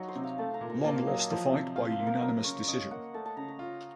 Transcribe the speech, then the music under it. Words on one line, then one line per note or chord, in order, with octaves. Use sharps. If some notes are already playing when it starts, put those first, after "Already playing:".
Long lost the fight by unanimous decision.
Already playing: F#3 D#4 F#4
C5
C3
F5
A3 A5
A#5
A#2
A#5
A#3 A5
F5
F#3 D#5
A5
F3 A5
C3
F4 F5
C5
A#3
A#4
F#3 A#4
C#3 C#5
C#4 D#5
A#3 F#5
A3 A5
A5
C#3 A#5
A#5
F4